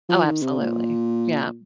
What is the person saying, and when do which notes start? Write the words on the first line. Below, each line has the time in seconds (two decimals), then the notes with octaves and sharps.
Oh absolutely, yeah.
0.09 F3
0.25 D#3
0.42 C3
0.58 A#2